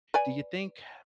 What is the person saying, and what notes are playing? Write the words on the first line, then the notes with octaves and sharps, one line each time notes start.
do you think, uh,
B4 D5 G#5